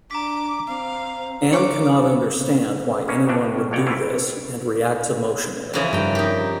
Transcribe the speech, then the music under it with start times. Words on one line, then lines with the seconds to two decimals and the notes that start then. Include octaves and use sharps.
Ann cannot understand why anyone would do this and reacts emotionally.
0.11 D4 A#5 D6 B6
0.67 C4 F5
1.53 C#5 D6
3.08 B2 A#3 C#4
3.27 A2 C#3 E3 F3 D4
3.41 A2
3.58 C#4
3.71 A#1 G2 B2 C#5 D5 G5
3.86 E3 F#3 G3 A3 E4 F4
5.73 F2 C#3 E3
5.93 G2 D#3 A#4 G5
6.15 D#4 G4